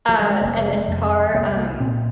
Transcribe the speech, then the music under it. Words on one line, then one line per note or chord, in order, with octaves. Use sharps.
Uh, and this car, um,
F3
G3
G#3
F1 A#3
G#3
F2 C3
G#3
C2 A#3
A#3
A#2 C4